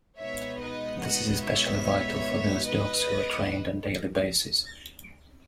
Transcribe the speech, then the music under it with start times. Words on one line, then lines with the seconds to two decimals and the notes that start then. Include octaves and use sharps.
This is especially vital for those dogs who are trained on daily basis.
0.19 B2 G#3 B3 D#4 C#5 E5
0.60 B4 D#5
1.02 D#5 F#5
1.42 C#5 E5
1.84 C#5 E5
2.66 B4 D#5